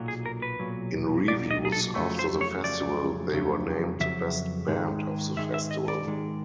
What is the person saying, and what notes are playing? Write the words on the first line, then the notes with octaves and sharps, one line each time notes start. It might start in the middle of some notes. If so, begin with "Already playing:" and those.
In reviews after the festival they were named the best band of the festival.
Already playing: B1 A#2 F#3
G#4
A#4
B4
B1 A#2 F#3
B1 A#2 F#3 D5
D#5
G#4
A4
F2 C#3 F#3 A3
C5
C#5
F2 C#3 F#3 A3 D5
F2 C#3 F#3 A3
F2 C#3 F#3 E5
G#2 D#3 G#3
G#2 D#3 G#3 E5
E5
D#5
D5
G#2 D#3 G#3